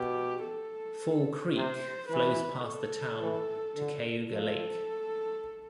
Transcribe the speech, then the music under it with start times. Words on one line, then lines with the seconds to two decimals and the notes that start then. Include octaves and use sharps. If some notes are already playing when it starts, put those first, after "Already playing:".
Fall Creek flows past the town to Cayuga Lake.
Already playing: B2 G4
0.44 A4
1.55 C3 C5
2.09 E3 B4
2.65 A4
3.21 E3
3.76 D3
4.31 F3 A4